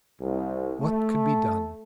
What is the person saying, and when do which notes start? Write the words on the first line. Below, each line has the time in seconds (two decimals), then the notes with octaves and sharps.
What could be done?
0.21 C2
0.80 A3